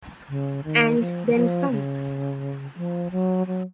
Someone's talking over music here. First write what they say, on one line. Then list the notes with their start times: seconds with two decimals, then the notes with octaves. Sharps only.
And then some.
0.29 C#3
0.64 D#3
0.99 F3
1.26 D#3
1.34 F3
1.70 C#3
2.76 F3
3.12 F#3
3.47 F#3